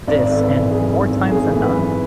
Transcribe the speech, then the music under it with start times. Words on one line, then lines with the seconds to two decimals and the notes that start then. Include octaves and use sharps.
this," and more times than not,
0.07 G#1 D5
0.27 G#1 A4
0.39 B4
0.55 E3
0.70 G#4
0.77 F#2
1.00 G#1 A4
1.24 G#1
1.31 G#4
1.48 E3
1.62 B4
1.70 F#2